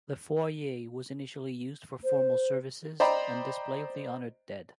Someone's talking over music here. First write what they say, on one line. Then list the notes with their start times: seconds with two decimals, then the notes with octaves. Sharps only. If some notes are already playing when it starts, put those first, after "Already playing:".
The foyer was initially used for formal services and display of the honored dead.
2.04 C5
3.00 C5 D5 D#5 G5 A#5 B5